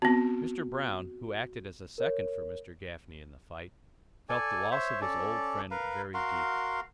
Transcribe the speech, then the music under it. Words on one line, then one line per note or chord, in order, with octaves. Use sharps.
Mr. Brown, who acted as a second for Mr. Gafney in the fight, felt the loss of his old friend very deeply.
B3 C4 F#4
A#4 C#5
A4 D5 G#5
C5 C#5 E5
C#4 A4 D5
A#4 B4 F5
F#4 A#4 F5 C6